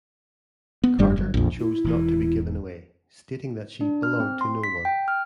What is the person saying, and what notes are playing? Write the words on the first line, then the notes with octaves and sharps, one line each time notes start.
Carter chose not to be given away, stating that she "belonged to no one".
B3
F1 G2 G3
G1
A#1 F2
E4
E1 E2 E3
D4
F6
C4
C6
B6
G5
F6